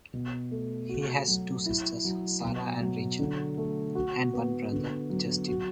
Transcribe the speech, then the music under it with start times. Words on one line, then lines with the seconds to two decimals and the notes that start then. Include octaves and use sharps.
He has two sisters, Sarah and Rachel, and one brother, Justin.
0.13 B2
0.51 A3
0.89 F#4
1.28 F#3
1.66 E4
2.05 F#3
2.43 B2
2.80 F#3
3.19 D3
3.57 A3
3.95 F#4
4.34 B3
4.72 D3
5.10 F#3
5.48 F#4